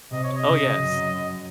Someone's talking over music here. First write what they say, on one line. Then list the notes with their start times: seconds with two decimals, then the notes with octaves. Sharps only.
Oh, yes."
0.12 C3 D#5
0.24 C#5
0.37 D#5
0.45 C#3
0.78 F#2